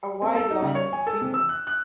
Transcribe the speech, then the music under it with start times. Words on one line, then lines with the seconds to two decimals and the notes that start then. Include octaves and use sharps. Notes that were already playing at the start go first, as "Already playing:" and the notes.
A wide line of people.
0.22 C4
0.36 A4
0.51 D#4
0.62 C#3
0.75 C#5
0.93 G#5
1.07 A4
1.21 C3
1.34 E6
1.49 F#6
1.67 F#6